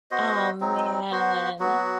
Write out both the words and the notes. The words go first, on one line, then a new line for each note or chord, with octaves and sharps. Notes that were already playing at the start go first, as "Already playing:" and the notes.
Oh, man.
B3 F#4 C5 D#5
F#3 C4 D#4
B3 F#4 C5
F#3 B3 F#4